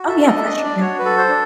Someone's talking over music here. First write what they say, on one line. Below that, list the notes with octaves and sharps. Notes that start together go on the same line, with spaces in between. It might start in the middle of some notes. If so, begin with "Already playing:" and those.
Oh, yeah, for sure.
Already playing: F#4
A4 E5
D#5
D4 E5
D#5
D4
D5
F#4 C#5
B4
A4
C5
D4